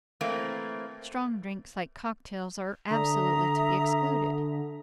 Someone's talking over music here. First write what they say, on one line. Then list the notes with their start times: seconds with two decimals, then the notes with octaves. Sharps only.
Strong drinks like cocktails are absolutely to be excluded.
0.21 E3 A3 A#3 C4
2.90 D3 E5 A#5 D#6